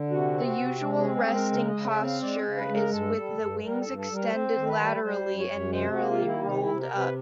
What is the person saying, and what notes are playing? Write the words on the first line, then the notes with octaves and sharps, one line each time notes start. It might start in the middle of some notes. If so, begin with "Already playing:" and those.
The usual resting posture is with the wings extended laterally and narrowly rolled up.
Already playing: D3
C3 F#4
C4
F#4
C3
G#3
G#4
C4
G#4
G#3
A#4
C#3 A#4
D#5
C#3
E5
C4
F5
G#3 D5
C#3
B4
G#3
A#4
G2 A4
G3
G2
G3 A#4
A4
G2
A4
G3
A#4
C4 C5
D#3
B4
G3
G3 C5
F#2
C#5
F#2
C3 C5
F#4
A#3
F4
D#3
E4
C3 D#4
E4
C3
A#4
C3
B4